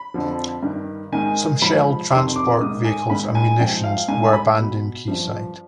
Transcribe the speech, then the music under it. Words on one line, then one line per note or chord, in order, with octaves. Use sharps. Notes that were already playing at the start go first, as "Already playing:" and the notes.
Some shelled transport vehicles and munitions where abandoned quayside.
Already playing: B5
F2 D3 F3
G2 D#3
G#2 D#3 G#5
G#2 F3 B5
F2 C3 D#3 C6
D6
G#2 D#3 D#6
G#5
G#2 D#3 B5
G#5
G#2 F3 G5
F5
G#2 D#3 G#5
B5
B2
G2 F3